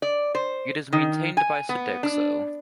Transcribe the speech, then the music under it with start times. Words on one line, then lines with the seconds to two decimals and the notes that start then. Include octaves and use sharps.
It is maintained by Sodexo.
0.02 D5
0.35 C5
0.93 D#3
1.37 G#5
1.69 B3
2.03 D4